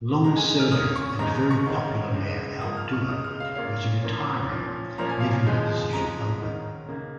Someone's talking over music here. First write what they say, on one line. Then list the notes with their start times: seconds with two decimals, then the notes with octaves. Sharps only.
Long serving and very popular mayor Al Duerr was retiring leaving the position open.
0.24 F2 D#3 G#3 A#5
0.36 G#5
0.48 G#5
0.60 F6
0.72 A#2 A#3 C#4 D#6
0.96 C#6
1.19 D#2 C#3 G#3 D#4 A#5
1.35 A#5
1.51 C#6
1.66 G#2 D#3 C#4
2.14 C#2 C#3 G#3
2.61 G#2 F3 A#3 D#6
2.77 F6
2.93 C#6
3.09 C#2 C#3 G#3 C#4 D#6
3.24 F6
3.40 F5
3.55 A#2 A#3 C#4 F5
4.03 A#2 F3 A#3 C#4
4.50 A#2 F3 C#4
4.98 A#2 F3 A#3 C#4 A#5
5.09 G#5
5.20 F5
5.31 G#5
5.46 D#2 C#3 F3 G#3 D#4
5.93 F2 C#3 F3 G#3 A#5
6.40 G#2 D#3 C#4
6.88 C#2 C#3 A#3